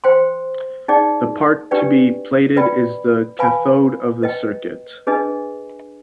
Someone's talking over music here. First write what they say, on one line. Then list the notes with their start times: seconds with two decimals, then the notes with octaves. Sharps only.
The part to be plated is the cathode of the circuit.
0.04 C5 G5 C6
0.88 D#4 G#4 D5 G5
1.71 D4 G4 B4 D5 G5
2.56 B4 D5 G5 B5
3.39 B4 F5 G#5 B5
4.22 B4 D#5 G5
5.07 D4 G#4 B4 D#5 G#5